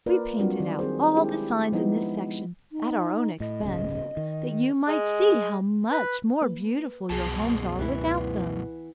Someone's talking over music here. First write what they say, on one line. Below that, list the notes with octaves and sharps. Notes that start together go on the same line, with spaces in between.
We painted out all the signs in this section at our own expense, that you might see how much more beautiful your homes are without them.
A#3 F4 A#4 B4 D5
F#3 G3 C4 D4 F4 F#4
D#3 D5
C4 G#4 C5
G#3 D4 E4 G4 G#4
F3 G#3 B3 D#4 E4
D#4
A2 D#5
D1 G1 C#3
D#3
G#3
B4
A#3 B4
C2 F#2 B2 G#4 A5 C7
C#2 E3 B3 E4